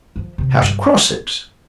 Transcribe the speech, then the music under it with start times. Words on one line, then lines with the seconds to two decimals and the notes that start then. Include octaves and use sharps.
How to cross it?
0.16 F3
0.38 C3
0.62 G2